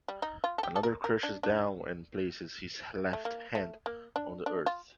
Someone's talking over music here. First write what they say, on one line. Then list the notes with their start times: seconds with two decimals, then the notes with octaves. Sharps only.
Another crouches down and places his left hand on the earth.
0.08 G3
0.22 D#4
0.44 F4
0.58 A4
0.63 G4
0.76 A4
0.83 A#4
1.04 A#4
1.23 D4
1.43 D4
3.13 A3
3.25 A#3
3.55 A3
3.86 A#3
4.16 D4
4.46 D4
4.66 F4